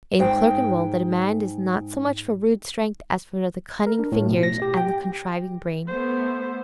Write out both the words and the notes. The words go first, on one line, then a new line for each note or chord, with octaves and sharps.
In Clerkenwell the demand is not so much for rude strength as for the cunning fingers and the contriving brain.
G#2 G5
A#4
D4
A2
B2
A#6
G4
G5
A3 B3 C5